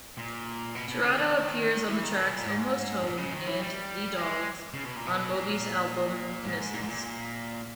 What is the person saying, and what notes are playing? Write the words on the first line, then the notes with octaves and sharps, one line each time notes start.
Jurado appears on the tracks "Almost Home" and "The Dogs" on Moby's album "Innocents".
A#2
B2
B2
C#3
D#3
E3
D#3
B2
A#2
G#2
A#2
C#3
D#3
E3
G3
G#3
C#3
B2
A#2
B2
A#2
G#2
A#2
G#2
A#2